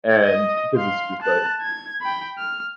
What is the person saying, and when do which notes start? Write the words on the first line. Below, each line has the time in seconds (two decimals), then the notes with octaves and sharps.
and because it's just, like
0.24 D#5 D#6
0.77 F5 C6
1.22 A5 F#6
1.62 G#6
2.02 G5 B5
2.39 F6